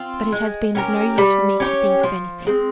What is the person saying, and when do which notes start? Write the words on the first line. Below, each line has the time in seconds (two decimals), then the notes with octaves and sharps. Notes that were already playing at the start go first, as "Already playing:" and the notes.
But it has been of no use for me to think of anything.
Already playing: C4 F4
0.32 G#3
0.75 C#4 G4 A#4
1.18 G3
1.60 C#4 G4 C#5
2.03 F3
2.47 G#3 C4